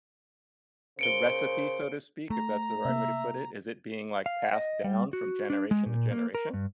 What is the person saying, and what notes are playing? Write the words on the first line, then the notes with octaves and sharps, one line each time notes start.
the recipe, so to speak, if that's the right way to put it? Is it being, like, passed down from generation to generation?
C#3 A#4 C5 C#7 D7 G7
A3 A#5
C3 A#3 E5
F5
D#5
G3
F#4
D4
G#3
A#2
A#3
A#4
G2